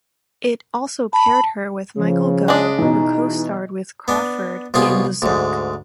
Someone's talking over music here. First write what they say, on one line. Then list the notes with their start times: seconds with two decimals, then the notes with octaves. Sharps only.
It also paired her with Michael Gough, who costarred with Crawford in Berserk!
1.13 A5 B5
1.98 C#3 F3
2.48 G#3 D4 D#6
2.79 B2 E3 D#4
4.08 B3 D4
4.74 C2 B2 F4 G#4
5.22 D2 G#2